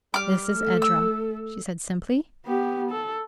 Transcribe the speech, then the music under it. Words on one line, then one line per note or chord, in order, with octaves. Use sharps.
"This is Edra," she said simply.
G3 D6 F6
A3 A4
E6
B3 G4
A4